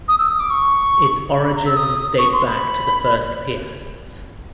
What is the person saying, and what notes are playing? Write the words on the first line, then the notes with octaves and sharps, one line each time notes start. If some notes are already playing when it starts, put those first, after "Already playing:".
Its origins date back to the first Piasts.
D#6
E6
D#6
D6
C#6
B5
B5
A#5
E6
D#6
C#6
C6
B5